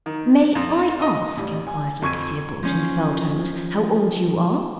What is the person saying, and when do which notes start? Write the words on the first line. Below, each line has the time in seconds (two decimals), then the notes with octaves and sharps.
"May I ask," inquired Lady Theobald, in fell tones, "how old you are?"
0.06 D#3
0.55 F2
1.02 D#5
1.37 A1 G3
1.67 G#5
2.02 F2 C#6 G#6 D#7
2.63 F3 C#4